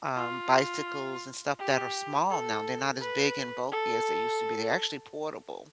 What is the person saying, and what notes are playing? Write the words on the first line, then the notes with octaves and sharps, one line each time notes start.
um, bicycles and stuff that are small now. They're not as big and bulky as they used to be, they're actually portable.
F4
G4
A4
B4
A4